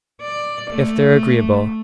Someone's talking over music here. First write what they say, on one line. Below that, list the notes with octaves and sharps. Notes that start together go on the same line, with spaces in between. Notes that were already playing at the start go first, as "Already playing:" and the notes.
"If they're agreeable."
D5
A3